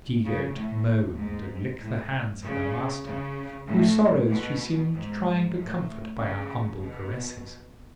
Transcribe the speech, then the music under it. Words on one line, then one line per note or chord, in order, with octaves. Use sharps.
The she-goat moaned and licked the hands of her master, whose sorrows she seemed trying to comfort by her humble caresses.
C#3
A2
G#2
A2
C#3
C#3
A2
B2
G#2
A2
C#3
B2